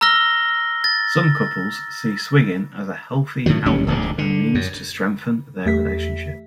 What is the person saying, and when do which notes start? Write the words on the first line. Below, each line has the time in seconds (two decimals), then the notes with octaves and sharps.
Some couples see swinging as a healthy outlet and means to strengthen their relationship.
0.01 A#5 E6 F6 A#6 G7
0.84 A6
3.46 A2 D3 D#3 F#3
3.66 E1 D#2 G3 C#4
3.87 D1 A#1 G#2
4.18 D3
4.55 F#2
5.66 E2 A3 G4 E5 B6